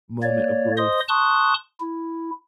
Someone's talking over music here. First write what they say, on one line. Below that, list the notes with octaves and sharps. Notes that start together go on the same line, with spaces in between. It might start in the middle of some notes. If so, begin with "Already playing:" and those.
moment of growth
A#3 C#5 D5
C5 D#5 C6 D#6
A5 C6 C#6 D#6 F#6
E4